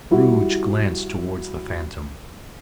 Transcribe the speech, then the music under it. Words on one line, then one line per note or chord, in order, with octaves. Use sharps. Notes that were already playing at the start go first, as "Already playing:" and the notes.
Scrooge glanced towards the Phantom.
G3 E4 F#4